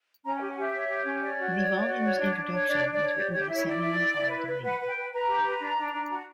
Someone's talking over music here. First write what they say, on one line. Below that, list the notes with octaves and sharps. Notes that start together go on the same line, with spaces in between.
The volume's introduction was written by Samuel R. Delany.
C#4 A#5
G5
G4
F#5
G4 E5
C#5
G4
C#4
C#5 D5
F#4
C#5
F#4
F#4
C#5
D4
D4
C#5
D4 D5
D4
D5
C#5
G4 D5
C#5
G4
E4 C#5
E4 D5
E4
E4
E4
B4
B4
B4 F#5
B4
G5
B4
B4 A#5
G4
B4
D4
D4
D4
F#4